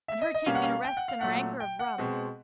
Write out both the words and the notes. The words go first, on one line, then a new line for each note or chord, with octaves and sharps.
And her take me to rests and her anker of rum.
E5
D#5
D#5
B2 G3 A#3 C#4 F5
F#5
F5
G5
F#5
F5
A#2 F#3 A3 F#5
G5
F#5
B2 G#3 C4